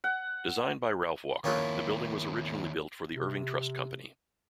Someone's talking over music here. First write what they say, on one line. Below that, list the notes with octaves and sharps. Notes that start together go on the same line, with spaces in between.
Designed by Ralph Walker, the building was originally built for the Irving Trust Company.
F#5
D#2 A#3 C#4 E4 F4
C3